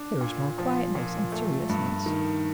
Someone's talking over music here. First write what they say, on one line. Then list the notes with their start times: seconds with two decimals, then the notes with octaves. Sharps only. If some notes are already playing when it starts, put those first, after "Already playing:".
There is more quietness and seriousness.
Already playing: D4
0.21 A#2
0.59 F3
0.95 A#2
1.32 A3
1.69 G2
2.06 D#3